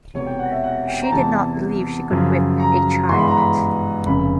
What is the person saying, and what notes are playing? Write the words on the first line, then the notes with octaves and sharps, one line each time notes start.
She did not believe she could whip a child.
E1 E2 C3 C#5
G5
F#5
E5
F#5
G5
A#5
E2 C3 E3 A5
F#2 C#3 F3
A#5
G2 E3 G#3 B3 C6
B5
A#5
B5
F1 F2 C#3 B5